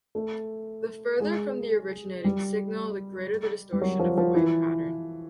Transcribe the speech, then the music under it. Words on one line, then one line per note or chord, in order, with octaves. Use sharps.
The further from the originating signal, the greater the distortion of the wave pattern.
A3
G#3
G3
G3
F#3
F3
F3
E3